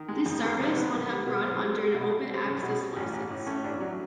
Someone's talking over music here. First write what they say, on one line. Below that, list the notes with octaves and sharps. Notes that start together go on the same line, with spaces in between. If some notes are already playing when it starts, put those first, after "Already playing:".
This service would have run under an "open access" licence.
Already playing: D#3
G#3
F2
A#3
G#3 B3
C3 C4
D#3 B3
B1 A#3
G3 B3
B2 B3
B1 C4
G3
G3
B2
G3
G3
C4
B1 C#4
B2
G3
A1
A1
A2
A3 C#4
A1 D4
F#3